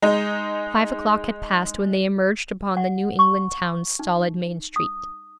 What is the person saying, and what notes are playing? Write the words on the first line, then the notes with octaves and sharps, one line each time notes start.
Five o'clock had passed when they emerged upon the New England town's stolid main street.
G#3 D#4
F#5
C#6
D#4
D#6